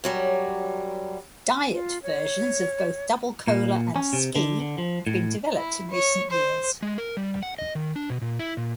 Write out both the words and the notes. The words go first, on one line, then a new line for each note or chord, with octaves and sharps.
Diet versions of both Double Cola and Ski have been developed in recent years.
F#2 F#3 G3
F4
C#5
A#2
C#4
C3
D3
D3
F3
A2
E4
C#5
C5
G#3
A#4
G3
F#5
D#5
D#3
D4
B2
A#2
E4
A#2